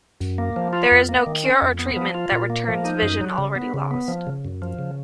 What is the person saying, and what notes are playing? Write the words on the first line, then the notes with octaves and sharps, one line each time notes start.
There is no cure or treatment that returns vision already lost.
F#2
A#3
F3
F4
F2
A#3
D#3
C#4
F2
B3
F3
F4
A#2
A#3
F3
D#4
F#2
F#3
C#3
B3
C#3
B3
F3
C#3
F#2
F3
C#3